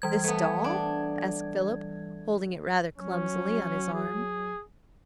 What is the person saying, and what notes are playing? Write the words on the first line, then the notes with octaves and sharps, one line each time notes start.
"This doll?" asked Philip, holding it rather clumsily on his arm.
E3 G3 G#6
A3 B3
D4
F#3 C#4
G#4